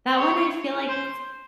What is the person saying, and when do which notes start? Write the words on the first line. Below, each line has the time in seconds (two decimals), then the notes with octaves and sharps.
that one I feel like,
0.18 C#5
0.88 C5